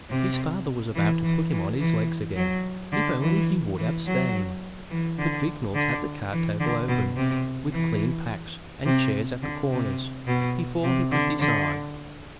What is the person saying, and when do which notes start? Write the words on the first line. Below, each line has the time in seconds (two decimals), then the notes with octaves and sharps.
His father was about to put him on his legs again,--if only he would abstain. But Vignolles had the card-table open, with clean packs, and chairs at the corners, before he could decide.
0.10 C3
0.95 E3
1.23 E3
1.51 E3
1.80 E3
2.36 F#3
2.92 D3
3.21 E3
3.78 E3
4.06 F#3
4.90 E3
5.18 D3
5.74 D3
6.32 E3
6.60 D3
6.88 B2
7.16 C3
7.73 E3
8.85 C3
9.42 D3
9.71 C3
10.27 B2
10.84 C3
11.12 D3
11.39 D3